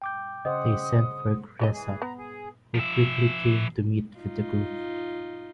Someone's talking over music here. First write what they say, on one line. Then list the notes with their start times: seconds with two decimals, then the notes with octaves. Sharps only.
They sent for Cresap, who quickly came to meet with the group.
0.02 G5 D6 G6
0.45 C#3 C5 D#5 F#5 D#6
1.59 G#2 C3 F#3 G#3 C#5 D#5
1.73 E3 G#4
2.02 B3 A#5
2.19 G#4
2.75 F3 E5
4.17 D#4 F4